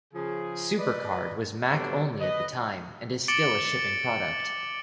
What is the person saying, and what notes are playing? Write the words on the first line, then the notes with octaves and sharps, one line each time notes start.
SuperCard was Mac-only at the time, and is still a shipping product.
C#3 F3 G#4
B4 D5 D#5
F#3 G3 A3 B3 C4 D4
B4 D#5
D6 A6 C#7 D7 F#7 G7